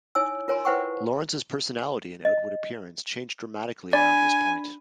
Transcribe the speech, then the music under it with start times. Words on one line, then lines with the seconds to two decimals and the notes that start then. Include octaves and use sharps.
Lawrence's personality and outward appearance changed dramatically around this point.
0.15 D#4 E4 C#5 G#5 E6
0.48 F4 A#4 C#5 G#5 A#5 C6
0.65 E4 B4 C5 F#5 G5 C#6
2.25 D#5
3.93 D4 D5 G#5 B5